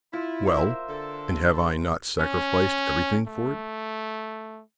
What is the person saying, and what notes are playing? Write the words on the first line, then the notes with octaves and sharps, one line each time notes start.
"Well, and have I not sacrificed everything for it?"
E4 F4
A#4 C5 E5
D3 A4
C#4
A3